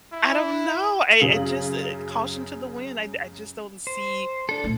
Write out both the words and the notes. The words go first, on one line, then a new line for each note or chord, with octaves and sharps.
I don't know, I I just, eh, caution to the wind, I I just don't see
E4
F#2 C#3 F5 F#7
C5
D4 A4
A#2 A3